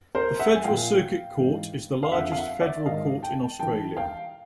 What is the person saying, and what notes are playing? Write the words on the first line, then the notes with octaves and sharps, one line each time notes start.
The Federal Circuit Court is the largest federal court in Australia.
A#4 C5
E5 F#5
G#5
A#2 F3 F5 G5
G#2 E3
F5
F2 D3 F3 E5 F#5
F5
E5 F#5
D5 E5
G#2 D#3 D#5 F5
G5 A5
G2 E3 G5 A5
F5 G5